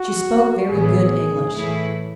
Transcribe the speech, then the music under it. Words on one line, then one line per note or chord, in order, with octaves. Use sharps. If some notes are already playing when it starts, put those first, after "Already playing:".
She spoke very good English.
Already playing: F#4
A1 A2 E3 B3 G#4
A2 E3 A3 E4